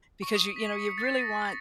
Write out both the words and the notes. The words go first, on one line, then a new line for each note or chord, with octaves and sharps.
because you you know, you really want
C#6
D#6
B6
C#7
C#7
A6
A#6
G7